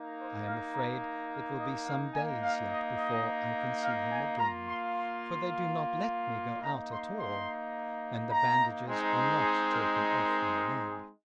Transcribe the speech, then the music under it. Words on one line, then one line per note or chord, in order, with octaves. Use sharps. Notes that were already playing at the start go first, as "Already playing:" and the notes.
I am afraid it will be some days yet before I can see him again, for they do not let me go out at all, and the bandages are not taken off my leg.
Already playing: A#3 D#4
C5
F5
A#5
F5
D#5
F5
A#3 D#4 G#5
F5
D#5
D#5
F5
G#5
A#3 F4 A#5
C6
C6
A#3 D#4 A#5
C6
C6
A#5
G#3 C4 D#4
G#4
A#4
G#4
A#4
A#4
G#4